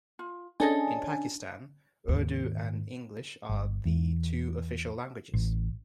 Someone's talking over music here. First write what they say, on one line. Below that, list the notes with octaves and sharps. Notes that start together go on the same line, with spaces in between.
In Pakistan, Urdu and English are the two official languages.
F4
C#4 D4 G#4 A4 D#5 G#5
D#2 G#2
G1
E2
A1